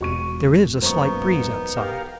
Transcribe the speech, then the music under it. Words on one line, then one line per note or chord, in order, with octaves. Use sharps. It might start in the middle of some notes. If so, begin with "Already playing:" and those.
There is a slight breeze outside.
E1 F#4 C#6 D#7
F#2 A#3 B3 D#4 C5 C#6
G4 A#4 F5